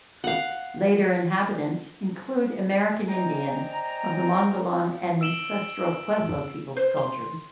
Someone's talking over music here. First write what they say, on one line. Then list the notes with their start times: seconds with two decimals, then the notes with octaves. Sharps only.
Later inhabitants include American Indians of the Mogollon and Ancestral Pueblo peoples cultures.
0.24 F5 F#5
3.08 C5 D5 D#5 G5 G#5 A#5
5.21 E6 D7 E7 F#7 G7
6.77 C5
6.97 C6